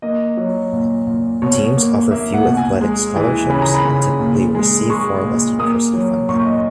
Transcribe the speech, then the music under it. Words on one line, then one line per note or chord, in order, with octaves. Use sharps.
Teams offer few athletic scholarships and typically receive far less university funding.
A#3 D#5
F#3
A#2
A#2
B2 C#5
A#3
A#3 E5
F#5
B2
G#5
G#3
E3
C#3 B5
A#5
B5
C#3
A#2
G#3
G#3 C#6
A#2
A#3 D#6
F#3
A#2 C#6
D#5